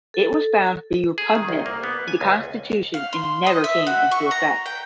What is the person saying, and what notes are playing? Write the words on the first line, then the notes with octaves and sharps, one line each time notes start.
It was found to be repugnant to the Constitution and never came into effect.
A4
G#4
D#3
C2
A#3
B3
G#5
C#2
F5
C6
D#5
E5
F#4
C#6
A#5
G5